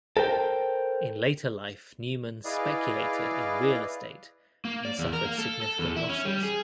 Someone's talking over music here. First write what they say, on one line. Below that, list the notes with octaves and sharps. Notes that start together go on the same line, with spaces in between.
In later life Newman speculated in real estate and suffered significant losses.
A4 A#4 C5 G5
E4 G#4 B4 D5 D#5 F5
A#3
D5
E2
A#4
A#3
A4
A4
E2
E4
C#4
G3
G#4